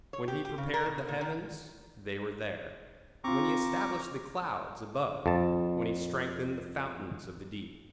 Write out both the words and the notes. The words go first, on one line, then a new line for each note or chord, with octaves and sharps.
When he prepared the heavens, they were there; when he established the clouds above, when he strengthened the fountains of the deep.
C#5
G4
G4
C#3
A#4
B2
A#2
D#3
C4 F4 A#5 C#6 D6
F2 A5